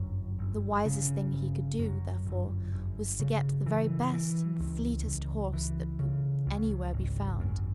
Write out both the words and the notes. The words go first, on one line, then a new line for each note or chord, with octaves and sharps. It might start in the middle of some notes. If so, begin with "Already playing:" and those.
The wisest thing he could do, therefore, was to get the very best and fleetest horse that could anywhere be found.
Already playing: G1 F#2
G1
C#3
G1
F#2
G1
G1
C#3
E3
E3
C#2
C#2
E3
C#3
C#2
G#1
F#2